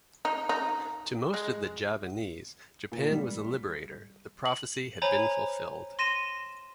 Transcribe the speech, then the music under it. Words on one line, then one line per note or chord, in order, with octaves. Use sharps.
To most of the Javanese, Japan was a liberator: the prophecy had been fulfilled.
D#4
D#4
G#3
A#2
G3
F#7
C5 C#5 G#5 A#5 B5
C6 A#6 D#7 E7